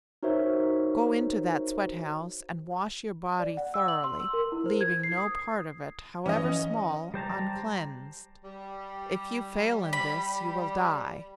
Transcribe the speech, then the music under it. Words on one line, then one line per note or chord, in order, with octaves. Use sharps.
Go into that sweat-house and wash your body thoroughly, leaving no part of it, however small, uncleansed. If you fail in this, you will die.
D#4 F#4 A#4 C5 C#5 E5
D5
F#5
E6
F#7
C6
E6
A#4
E4
C5
G#6
C7
D#6
E3 C#4 G#4 D#5
G3 C5 A5 A#5
G3
B5